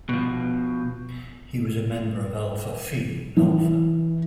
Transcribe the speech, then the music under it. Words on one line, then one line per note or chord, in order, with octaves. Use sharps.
He was a member of Alpha Phi Alpha.
B2 F3
E3